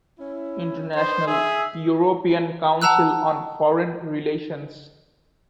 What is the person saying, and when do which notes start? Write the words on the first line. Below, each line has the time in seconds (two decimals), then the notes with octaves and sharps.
International: European Council on Foreign Relations.
0.19 C#4 E4
0.96 D4 B4 C5 D#5
1.27 G#4 E5
2.82 F#5 A5 A#5 E6 F#6